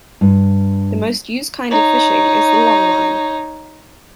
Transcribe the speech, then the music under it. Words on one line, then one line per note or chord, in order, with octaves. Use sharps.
The most used kind of fishing is the longline.
G2
D#4 C#5